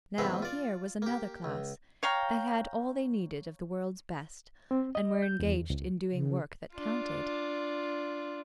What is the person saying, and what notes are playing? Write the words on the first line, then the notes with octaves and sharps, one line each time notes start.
Now here was another class, that had all they needed of the world's best and were engaged in doing work that counted.
A1 E2 G#2 C4 B4 C5
F4 D5
A#3 G4
C#2
C#5 F5 G5 A#5
C4
D#5
G6
E2
C#2
C#3
D4 F4